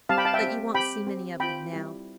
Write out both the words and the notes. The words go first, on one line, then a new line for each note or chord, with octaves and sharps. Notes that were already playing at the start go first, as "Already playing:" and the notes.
But you won't see many of them now.
G3 C4 G4 F5 A5
G5 B5
F5 A5
E5 G5
C4 G4
C4 G4 G5 B5
C4 G4
C4 F4 G5 B5
G3 C4 E4 G4